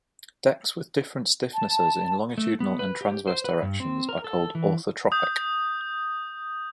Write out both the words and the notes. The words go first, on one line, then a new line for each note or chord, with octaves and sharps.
Decks with different stiffnesses in longitudinal and transverse directions are called 'orthotropic'.
A5
A3
B3
B4
G4
C5
B4
G2
C4
A#4
A4
E3
D#6 G6